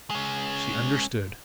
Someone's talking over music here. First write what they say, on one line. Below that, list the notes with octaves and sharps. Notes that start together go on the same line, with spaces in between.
She understood!
G#3 C#4